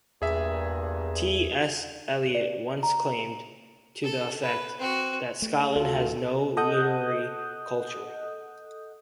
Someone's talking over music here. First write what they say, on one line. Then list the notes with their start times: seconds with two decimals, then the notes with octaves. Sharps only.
T. S. Eliot once claimed, to the effect, that Scotland has no literary culture.
0.22 E2 G2 A#2 G#4 E5
2.35 D5
2.83 A#5
4.04 A4
4.42 B4
4.78 C4 F#4
5.42 A3
5.76 D2 F4 F#4 A4
6.57 A4 D#5 F#5 D#6 F#6 G6